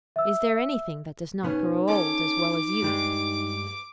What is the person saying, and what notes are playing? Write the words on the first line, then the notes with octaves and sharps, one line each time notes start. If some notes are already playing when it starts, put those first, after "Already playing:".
Is there anything that does not grow old, as well as you?
E5 E6
B2 B3 C#4 D#4
C#4 A4 D6
G2 G3 G#3